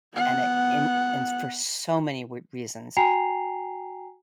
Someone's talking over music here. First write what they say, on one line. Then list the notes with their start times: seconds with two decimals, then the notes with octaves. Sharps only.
and it in in for so many good reasons,
0.13 B3 F#5
2.97 F#4 G5 G#5 A#5 C7 F7